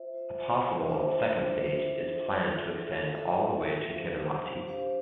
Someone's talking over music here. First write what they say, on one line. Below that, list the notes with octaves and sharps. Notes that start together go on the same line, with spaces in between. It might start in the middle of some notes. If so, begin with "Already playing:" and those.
A possible second stage is planned to extend all the way to Kivenlahti.
Already playing: F4 C5 E5
F4 C5 E5
D4 F4 C5 E5
D4 F4 C5 E5
F4 A4 E5
F4 A4 E5
D4 G4 C5 F5
D4 G4 C5 F5